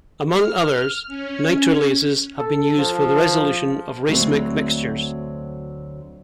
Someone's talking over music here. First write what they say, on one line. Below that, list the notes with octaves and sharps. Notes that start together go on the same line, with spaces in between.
Among others, nitrilases have been used for the resolution of racemic mixtures.
F6
C#4
A4
F3
D2 F#3 C4